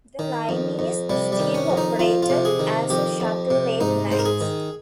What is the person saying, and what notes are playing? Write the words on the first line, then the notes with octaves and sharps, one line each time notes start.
The line is still operated as a shuttle late nights.
D#3
F2
F2
C3 G3
G3
D#3
C#4
F2
D#4
F2 F4
F4
C3
G#4
D#3
F2 G4
F2
C3
G#2 D#4
G#2 C5
A#4
G#4
D#3